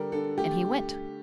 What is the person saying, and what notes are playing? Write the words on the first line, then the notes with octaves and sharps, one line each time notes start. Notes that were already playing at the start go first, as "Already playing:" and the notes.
And he went.
Already playing: D3 G3 D4 A4 A#4
D3 A4
A3 G4